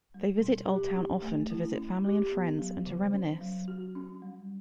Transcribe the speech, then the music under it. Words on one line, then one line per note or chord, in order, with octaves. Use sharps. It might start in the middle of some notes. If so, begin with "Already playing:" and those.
They visit Oldtown often to visit family and friends and to reminisce.
G3
B2
G4
C#4
A3
E4
C#4
G4
B3
F#3
C#3
C#4
F#3
F#4
C#4
G3